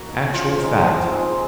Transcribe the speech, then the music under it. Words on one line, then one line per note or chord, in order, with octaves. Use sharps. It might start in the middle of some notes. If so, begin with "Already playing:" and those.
"Actual fact!"
Already playing: A#3 F#4
D#4
F3 F4
G#3 C4 D#4
F3
G#3 C4 D#4